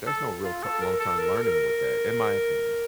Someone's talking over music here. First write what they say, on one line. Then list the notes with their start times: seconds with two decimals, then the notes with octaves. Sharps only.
There's no real t long-term learning with that, in my opinion.
0.07 A4
0.44 F4
0.63 A4
0.81 A#4
1.00 A4
1.19 A#4
1.37 A#4